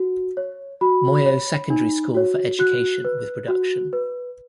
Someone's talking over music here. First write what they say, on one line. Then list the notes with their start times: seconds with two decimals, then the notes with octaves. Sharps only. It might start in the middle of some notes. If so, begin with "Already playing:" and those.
Moyo Secondary School for Education with Production.
Already playing: F#4
0.37 C#5
0.81 F#4 B5
1.26 C#5
1.70 D#4
2.15 F#4 C#5
2.59 F#4 F#6
3.05 B4
3.48 F#4
3.93 B4